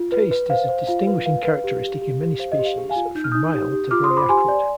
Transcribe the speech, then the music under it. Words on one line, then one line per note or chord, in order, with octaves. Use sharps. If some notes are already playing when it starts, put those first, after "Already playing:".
Taste is a distinguishing characteristic in many species, from mild to very acrid.
Already playing: F4
B4
B4
C5 F5
C5
F4 F5
B4
B4 F5
B4
G4
G4
G4
G4
C5 F5
D#5
G4
F5
G#4
F5 G#5
F4
D#4 G6
F6
D#4 D#6 G6
G4
G4
F4 D6 F6
C6 D#6
C5
B5 D6
G4 G#5 C6
D5